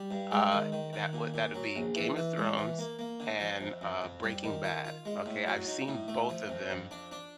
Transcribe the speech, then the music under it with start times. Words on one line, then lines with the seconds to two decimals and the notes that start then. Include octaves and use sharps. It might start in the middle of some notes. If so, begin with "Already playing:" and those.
Uh, that would that would be Game of Thrones and, uh, Breaking Bad, okay? I've seen both of them
Already playing: G3
0.11 G2
0.31 G#3
0.52 D#3
0.72 D#3
0.93 D#3
1.13 A#2
1.34 A#2
1.54 F#3
1.76 A#1
1.96 E3
2.17 E3
2.37 G#3
2.58 E3
2.79 A#3
2.99 A#3
3.20 D3
3.40 F3
3.61 F2
3.81 F2
4.02 F2
4.23 G3
4.44 D#3
4.64 F4
4.85 F4
5.05 G#3
5.26 A2
5.46 F#3
5.67 D#4
5.88 A2
6.08 A3
6.29 F3
6.49 F2
6.70 F2
6.91 D4
7.12 D4